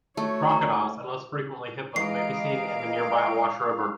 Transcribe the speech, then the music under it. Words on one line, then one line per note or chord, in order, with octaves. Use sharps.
Crocodiles and, less frequently, hippos may be seen in the nearby Awash River.
A3 F#4 C#5
A#5
E3 G#3 D#5 F5 A#5 C7 D7